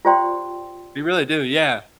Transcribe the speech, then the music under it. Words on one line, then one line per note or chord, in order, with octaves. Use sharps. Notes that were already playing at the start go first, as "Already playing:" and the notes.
You really do, yeah.
F4 G4 C5 D5 G5 C6